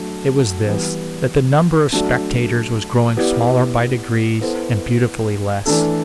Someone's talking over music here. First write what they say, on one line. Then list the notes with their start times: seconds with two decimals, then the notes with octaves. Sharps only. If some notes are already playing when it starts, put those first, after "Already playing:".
It was this--that the number of spectators was growing smaller by degrees and beautifully less.
Already playing: F#3 A3 D4 F#4
0.67 E3 G3 B3
1.92 F#3 A3 D4
3.17 B3 E4 G4 D5
4.41 B3 E4 A4 C5
5.66 E3 A3 D4 A4